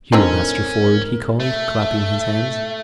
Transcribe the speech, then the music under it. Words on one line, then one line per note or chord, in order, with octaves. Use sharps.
"Here, Master Ford," he called, clapping his hands.
D3 C4 C#4 D#4 A#4
A3 E5